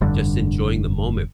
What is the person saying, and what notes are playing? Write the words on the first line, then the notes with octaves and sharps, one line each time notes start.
just enjoying the moment.
F1 G2 D3